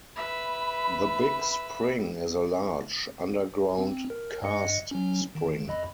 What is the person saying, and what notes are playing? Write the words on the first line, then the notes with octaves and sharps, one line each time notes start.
The Big Spring is a large, underground karst spring.
B4 E5 B5
C4
A#4
G2 D#5 C#7
F#3 C#4
D#3
F2 D#5 B5